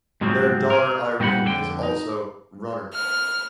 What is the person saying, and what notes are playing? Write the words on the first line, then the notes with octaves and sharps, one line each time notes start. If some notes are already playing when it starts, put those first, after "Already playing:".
Their daughter Irene is also runner.
G#2 B2 F3 F#3 A#3 C4
G#4 A#4
A#2 G3 D#4 A4 F#5 B5
F2 D3 F#4 G5
D#4
F6